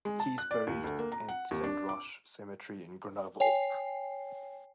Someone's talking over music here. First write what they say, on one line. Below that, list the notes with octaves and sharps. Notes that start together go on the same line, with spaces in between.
He is buried at Saint Roch Cemetery in Grenoble.
G#3
A5
F#6
D5
D#2
D2
A#3
A#5
F#5
D#2
D4
D6
C#5 G5 G#5 C7